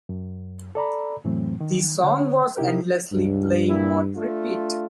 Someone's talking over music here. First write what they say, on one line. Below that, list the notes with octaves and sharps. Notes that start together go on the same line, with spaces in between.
The song was endlessly playing on repeat.
F#2
A4 D5 A#5 B5
F2 A2 E3 F#3 A3 C4
D#3
D3 C#5
C3 D#4 E4 G4 A#4
C#2 G2
A#2 G3 E4
A3 D4 F4